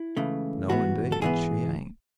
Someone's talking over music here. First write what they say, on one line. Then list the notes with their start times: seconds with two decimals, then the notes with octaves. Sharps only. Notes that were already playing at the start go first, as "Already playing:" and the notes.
"No, indeed, she ain't."
Already playing: E4
0.17 C#2 C#3 E3 A3
0.69 G#2 E3 B3 F#4
1.12 A4
1.21 G#2 E3 B3 G#4